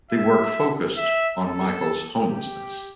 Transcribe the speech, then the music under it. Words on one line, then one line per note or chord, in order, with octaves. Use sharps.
The work focused on Michael's homelessness.
E5
E5
A4
G4